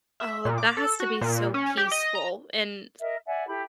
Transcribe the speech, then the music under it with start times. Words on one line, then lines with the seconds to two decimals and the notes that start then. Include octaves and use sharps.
Oh, that has to be so peaceful and
0.20 E5
0.45 A#2
0.58 D6
0.77 A4
1.00 F#4
1.21 A#2
1.54 C#4
1.77 G4
1.92 D#5
2.15 A#5
2.99 A#4 D#5 E5
3.25 D5 E5 F#5 G#5
3.46 E4 G4 A4 B5